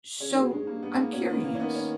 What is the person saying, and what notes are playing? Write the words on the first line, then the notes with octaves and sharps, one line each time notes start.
So, I'm curious,
C#3 C#4
D#3
B2 G#3
G2 G#3
G#2
A#3
G2
G2 B3
G#2 A#3
B2 C#4
D#3 B3
E3 A#3
C#4
D#3 B3
C#4